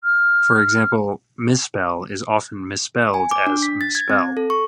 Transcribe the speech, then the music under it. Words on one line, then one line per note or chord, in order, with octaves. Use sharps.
For example, "misspell" is often misspelled as "mispell".
F6
G#5
D6
D4
B6
A6
G#6
C4
A4
C#6